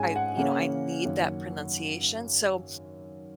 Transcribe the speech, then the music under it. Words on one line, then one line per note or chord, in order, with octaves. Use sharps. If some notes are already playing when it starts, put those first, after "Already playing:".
I, you know, I need that pronunciation, so
Already playing: G#2 G#3 C#4 G#5
F#5
C#3 A#3 C#4 F#5
F#2 D#3 A#3 C#4